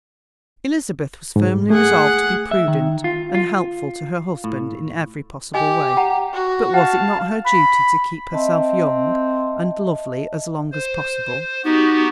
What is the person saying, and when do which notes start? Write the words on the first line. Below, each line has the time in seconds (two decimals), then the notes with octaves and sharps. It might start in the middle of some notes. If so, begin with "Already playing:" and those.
Elizabeth was firmly resolved to be prudent and helpful to her husband in every possible way; but was it not her duty to keep herself young and lovely as long as possible?
1.36 G#2
1.70 A3 G#4 F#5
2.51 E5
2.68 D#3
3.04 F4
3.35 F4
4.44 A2
5.54 G4 D#5 G#5
5.97 F#5 A#5
6.34 F#4
6.74 F5 F#5 A5
7.46 B5
8.32 C4 D#5 E5 A5
10.72 C5
11.65 B3 D#4 F#4 G4